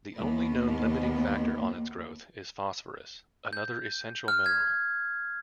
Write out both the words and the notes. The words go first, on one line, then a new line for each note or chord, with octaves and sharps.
The only known limiting factor on its growth is phosphorus, another essential mineral.
D#2 B3
G6
F6
G#6